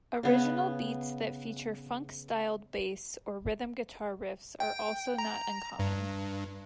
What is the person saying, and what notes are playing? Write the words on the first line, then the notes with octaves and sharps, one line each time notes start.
Original beats that feature funk-styled bass or rhythm guitar riffs are also not uncommon.
C#3 B3
G5
A#5
G2